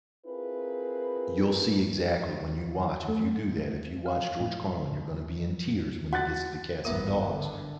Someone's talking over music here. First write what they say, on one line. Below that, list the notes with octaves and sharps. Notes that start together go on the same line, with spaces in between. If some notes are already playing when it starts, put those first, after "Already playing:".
you'll see exactly when you watch, if you do that, if you watch George Carlin, you're gonna be in tears when he gets to the cats and dogs,
C4 E4 F4 G#4 A#4 B4
A3
F5
A2
F#4 F#5 F#6 A6
G#1 G2 B3 A#4 E5
D3